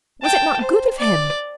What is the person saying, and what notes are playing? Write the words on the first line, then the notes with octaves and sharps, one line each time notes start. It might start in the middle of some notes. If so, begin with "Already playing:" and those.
Was it not good of him?'
G5 A5
C5
D5